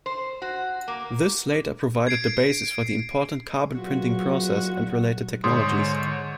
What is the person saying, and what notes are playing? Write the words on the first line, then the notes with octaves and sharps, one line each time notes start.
This later provided the basis for the important carbon printing process and related technologies.
C5
F#4
A#3
G#6 C7 D7
E2 A#2 F#3 F#4
G#2 D3 C#5 C6 D#6